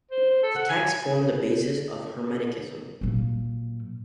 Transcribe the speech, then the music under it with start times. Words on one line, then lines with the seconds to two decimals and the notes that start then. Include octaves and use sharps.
The texts form the basis of Hermeticism.
0.11 C5
0.30 C5
0.43 A4
0.55 F#5
0.69 G#5
3.01 A#2 F#3